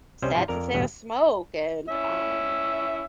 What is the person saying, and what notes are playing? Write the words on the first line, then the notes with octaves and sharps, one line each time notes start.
sad to say, a smoke," and, um
C2 C3 G3 C#4 C5 D#5
G#2 C3 F3 E4 F4
F2 A#4 D5 A#5
A1 E2 G2 B2
C#4 E4 E5